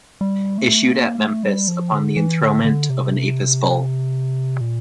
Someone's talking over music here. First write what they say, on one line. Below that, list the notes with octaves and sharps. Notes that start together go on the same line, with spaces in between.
Issued at Memphis upon the enthronement of an Apis bull.
G3
A3
A#3
A3
G3
F3
D3
E3
D3
D3
C3
A#2